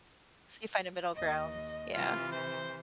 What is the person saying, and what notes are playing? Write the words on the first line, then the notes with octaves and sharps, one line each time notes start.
So you find a middle ground, yeah.
D#2 D#5
C3 E3 F4
C5